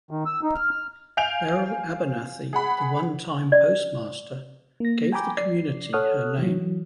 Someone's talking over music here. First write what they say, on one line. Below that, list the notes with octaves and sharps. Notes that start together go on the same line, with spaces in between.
Beryl Abernathy, the onetime postmaster, gave the community her name.
D#3
E6
D#4
F6
F6
F5 G#5 G6 D7 F7
G#4 F#5 B5
D5
A#3 A#6
G5 G#5 A#5 B5 D6 G6
D5 C7
A4 C#5 F#5 D#6 F6 F#6
E3 F#3